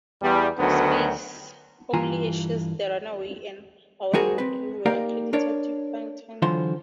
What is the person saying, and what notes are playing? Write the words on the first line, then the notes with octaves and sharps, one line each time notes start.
"Space", "Only Ashes", "The Runaway" and "I Won't Make You" were credited to Partington.
E2 G3
D2 D3 D#3 F#3 B3
G2 E3 F4 G#5 A#5
G3 D#4 F#4 G#4 A#4 C5
C4 B4
A#3 D#4 G4 A#4 D5 F5
D4 A#4 C#5 D5
D3 E3 F#3 F4 C5 C6